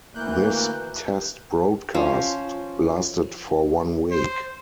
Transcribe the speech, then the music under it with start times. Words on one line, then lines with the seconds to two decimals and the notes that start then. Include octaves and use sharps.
This test broadcast lasted for one week.
0.15 D2 E3 A#3 F#6 G6
1.94 F3 C#4 C5
4.11 C5